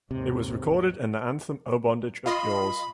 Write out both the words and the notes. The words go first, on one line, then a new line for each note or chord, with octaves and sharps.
It was recorded and their anthem Oh Bondage Up Yours!
D#2 G#2 C3
F4 D#5 B5 C6